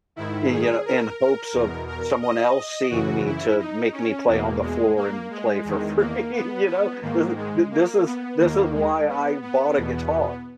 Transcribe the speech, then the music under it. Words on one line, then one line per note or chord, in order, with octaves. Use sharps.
y you know, in hopes of someone else seeing me to make me play on the floor and play for free, you know? This is th this is this is why I bought a guitar,
G#2 D#3 E4
G#4
A#4
A#4
E2 B2
A#4
D#5
D#5
F#2 C#3 E3 F#4
E4
D#4
C#4
E2 B2 A#3
G#3
A#3
G#3
E2 D#3
A#3
B3
B3
G#2 D#3 A#3
G#3
A#3
B3
D#2 D#3 A#3
G#3
B3
B3
E2 B2